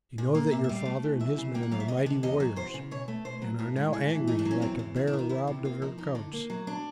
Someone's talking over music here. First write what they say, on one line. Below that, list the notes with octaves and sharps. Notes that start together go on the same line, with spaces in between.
You know that your father and his men are mighty warriors and are now angry, like a bear robbed of her cubs.
A#2
A#3
A#2 E5
E5
G3
F5
A3
E3
F#2 E5
C#3
A#3 G5
F#5
F#3 F5
E5
D2 D#5
D3
E2 D#5
F#3
E2 C5
C#3
B2 C#5
A3
B2 C5
F#3
A2 A#4
G#3
A2 G#4
E3
A3 D#4
D4
F#3
C#4
E2 C4
C#3
E2 C4
D4
D#3
D#4
E2 E4
C3
A#3 F4
F3 D#4
F2 D#4
D3
A#3
F#3
D4